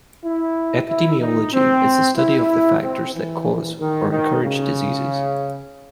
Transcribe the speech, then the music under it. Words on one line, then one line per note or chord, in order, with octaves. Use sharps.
Epidemiology is the study of the factors that cause or encourage diseases.
E4
E4
D#4
C4
E4
C4
E3
D#3
D#3
C#3